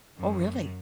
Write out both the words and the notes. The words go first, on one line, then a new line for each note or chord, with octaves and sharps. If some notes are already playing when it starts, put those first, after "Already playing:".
Oh, really?
F#2